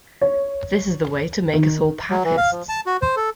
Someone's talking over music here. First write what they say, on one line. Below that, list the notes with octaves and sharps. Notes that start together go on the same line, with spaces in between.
This is the way to make us all Papists!
C#5
D#3
F#3
E3
F5
F3
A5
F#4
C5
A4